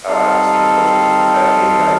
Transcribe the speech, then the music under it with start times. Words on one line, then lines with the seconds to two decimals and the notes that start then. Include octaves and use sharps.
uh, I haven't seen him post anything, uh, maybe I
0.07 G3 C4 D#4 A4 F5